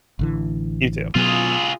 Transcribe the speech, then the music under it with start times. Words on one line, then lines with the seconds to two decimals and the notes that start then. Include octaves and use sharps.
You too.
0.19 A1 D3 E3
1.15 B2 F#3 B3 F4 G#4